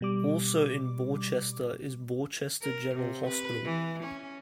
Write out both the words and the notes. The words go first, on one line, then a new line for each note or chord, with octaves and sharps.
Also in Borchester is Borchester General Hospital.
B2 G3 D6
A#4
C3
B4
E3
C#4